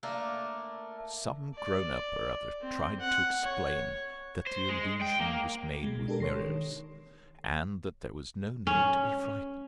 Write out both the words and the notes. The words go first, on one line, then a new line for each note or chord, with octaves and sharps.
Some grown-up or other tried to explain that the illusion was made with mirrors, and that there was no need to be frightened.
A3 A#3 D4
D5
C4
F#5
C#5
C5
G#3
G5
A#3
B2 G#3
D4 G4 A4 A#4
C#5 C6 A#6 C7
D#3
C#4